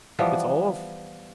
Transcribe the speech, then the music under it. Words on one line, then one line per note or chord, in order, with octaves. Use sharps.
It's off.
E3 F3 G3 B3